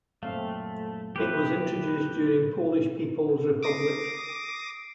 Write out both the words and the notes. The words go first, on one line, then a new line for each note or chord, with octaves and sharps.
It was introduced during Polish People's Republic.
F#2 A#2 A3 C4 F5
E3 E4 G4 B4
D6 D#6 A#6 C7 D7